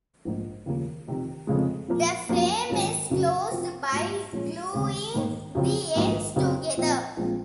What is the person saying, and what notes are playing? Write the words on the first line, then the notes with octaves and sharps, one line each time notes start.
The frame is closed by gluing the ends together.
A#1 G#2 F3 A#3
D#2 C#3 F3 A#3
F2 C3 D#3
F1 F2 C#3 G#3
A#2 F3 A#3
F#2 F3 A#3
G#1 G#2 F#3 C#4 F4
F#1 F#2 C#3 F#3
F2 C3 F3 C4 F#4
G#2 F#3 A#3 F4
A#2 F3 G#3 C#4
D#2 C#3 G#3 C4
G#2 D#3 A#3 D#4
F#2 C#3 F3 C4
A#1 G#2 D#3 F#3 A#3
F#1 F#2 C#3 F#3 C4
A#2 F3 C4
A#1 A#2 G#3 C4 F4